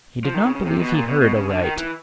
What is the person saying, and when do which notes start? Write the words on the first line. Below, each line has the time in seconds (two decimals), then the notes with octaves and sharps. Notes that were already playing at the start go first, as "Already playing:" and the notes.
He did not believe he heard aright.
0.25 F3
0.34 D#3
0.45 C#3
0.55 C#3
0.66 C3
0.80 B2
0.93 A#2
1.07 B2
1.21 B2
1.36 C#3
1.49 D3
1.63 D#3
1.77 E3